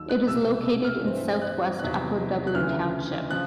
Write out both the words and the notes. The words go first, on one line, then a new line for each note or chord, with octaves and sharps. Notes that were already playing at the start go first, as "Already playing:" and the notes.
It is located in southwest Upper Dublin Township.
Already playing: D#2 D#3 F#3 E6
F#6
C2 B2 G#3 E6
E6
F6
G2 E3 A3 C4
F#6
E2 C3 D#3 F#3 B3 F#6
F#6
D2 C#3 E3 A3 F6
C#3 F3 F#6